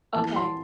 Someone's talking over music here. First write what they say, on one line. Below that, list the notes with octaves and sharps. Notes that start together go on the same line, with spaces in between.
o o Okay.
E3 A5
C6